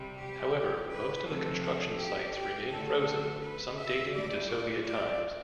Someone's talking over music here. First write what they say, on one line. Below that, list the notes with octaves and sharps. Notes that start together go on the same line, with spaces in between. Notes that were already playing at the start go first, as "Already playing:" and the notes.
However, most of the construction sites remain frozen, some dating to Soviet times.
Already playing: C3 G3
G4
B4
C3 F3 A3 A4
A4
G4
G4
D3 A3 A4
B4
E5
A2 G3 D5
D5
D5